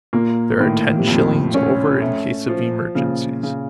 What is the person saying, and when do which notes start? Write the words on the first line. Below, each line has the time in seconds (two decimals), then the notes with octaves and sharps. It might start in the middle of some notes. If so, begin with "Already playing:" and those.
There are ten shillings over in case of emergencies.
0.13 A#2 A#3
0.60 A2 D#3
0.97 C3
1.07 F2 A#2
1.54 C#4
2.02 A3
2.48 F3
2.95 A#2 C#3
3.43 C#3